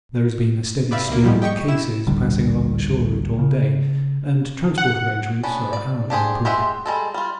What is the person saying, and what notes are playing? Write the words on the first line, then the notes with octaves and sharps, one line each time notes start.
There has been a steady stream of cases passing along the shore route all day and transport arrangements are hourly improving.
G4 B4 D5 E5 F5
D2 A#3
A2 F3 G3 G#3 B3
G4 D#5 G5 C#6
E4 E7
A1 D2 D3 G3
C#3
F#5
B3 C#4 D4
D5
D4 G4 G#4 C5
G#3 G4 C5 E5 F#5
G3 G#3 A4
G3 F4